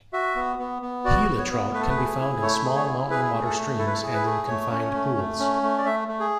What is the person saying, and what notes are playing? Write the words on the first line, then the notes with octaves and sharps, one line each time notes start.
Gila trout can be found in small mountain water streams, and in confined pools.
F#4 E5
B3
B3
B3
F#4 D5
B3
C#5
B3
A3 B4
A4
B4
G#4
E4
A3 C#5
G#4
C#5
E4
G#4 B4
A3
A4
A3
E4 A4
B4
A4
G#4
B4
A3
A3 C#5
C#4
A3
A3
C#4
A3
D5
A3 E5
A3
G#4